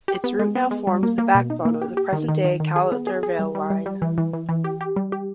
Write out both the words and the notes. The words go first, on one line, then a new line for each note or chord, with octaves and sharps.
Its route now forms the backbone of the present-day Caldervale Line.
G4
B3
G#3
B3
G#3
G3
A#3
A#3
B2
D#4
A#3
G4
G4
D#3
D#3
D#3
D#3
G#4
B3
G#4
G#4
G3
G3
G3
G3
E3
E3
E3
E3
G4
G4
G3
G4